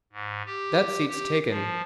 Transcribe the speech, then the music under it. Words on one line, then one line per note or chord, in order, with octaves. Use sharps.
That seat's taken.
G#2
G4
G4
F3